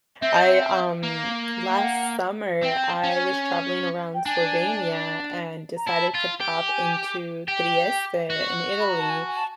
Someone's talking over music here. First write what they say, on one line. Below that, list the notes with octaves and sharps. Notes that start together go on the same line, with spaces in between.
I, um, last summer, I was traveling around Slovenia and decided to pop into Trieste in Italy,
C4 E5
D#5
E5
A#3
G5
F#5
C4 G5
C#4
G5
D4 G#5
A#5
E4 A5
F4
G4
G#5
G4 G5
F#4
B5
A#5
A5
G#5
G#5
A5